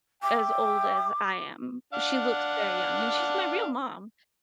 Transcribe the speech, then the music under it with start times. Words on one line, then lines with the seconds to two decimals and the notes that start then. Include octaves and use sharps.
as old as I am. She looks very young, and she's my real mom,
0.23 E5 G5 D6
1.93 D4 F5 F#5